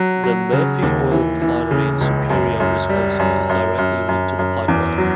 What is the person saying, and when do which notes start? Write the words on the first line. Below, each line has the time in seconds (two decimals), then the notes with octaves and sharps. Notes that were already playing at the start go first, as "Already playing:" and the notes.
The Murphy Oil refinery in Superior, Wisconsin, is directly linked to the pipeline.
Already playing: F#3
0.24 F#3
0.52 C#3
0.82 D#2
1.12 E3
1.42 E3
1.71 C#3
2.01 C#2
2.30 F#2
2.60 F#2
2.89 G3
3.19 F#2
3.49 F#2
3.78 F#2
4.09 F#2
4.39 F#2
4.68 E2
4.98 F#3